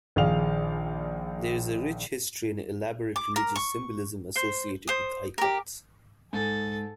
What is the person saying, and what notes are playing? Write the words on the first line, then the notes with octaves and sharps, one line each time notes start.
There is a rich history and elaborate religious symbolism associated with icons.
A#1 D#3 G#4 D5 F5 F7
D6
A#4
C#6
C5
C5 D#6
G4 A#4
G#2 G#4 A4